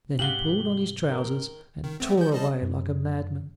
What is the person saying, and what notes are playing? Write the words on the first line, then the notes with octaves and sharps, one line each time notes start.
Then he pulled on his trousers and tore away like a madman.
G#2 C3 G4 F5 F#5 F#7 G7
D#3 A#4
D#3
A3 B3 C4
F3 G6
G3 D#5 A5
F#2